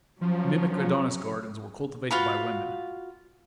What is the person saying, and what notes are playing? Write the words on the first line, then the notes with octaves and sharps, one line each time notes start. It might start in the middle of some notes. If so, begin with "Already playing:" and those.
Mimic Adonis gardens were cultivated by women.
F3 F#3 C#4
F4 F#4 F5 B5